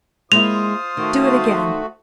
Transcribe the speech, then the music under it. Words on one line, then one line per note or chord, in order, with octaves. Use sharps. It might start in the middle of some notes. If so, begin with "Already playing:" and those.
Do it again!
G#3 A#3 E4 F4 C5 D#6 F7
D#3 A3 F#4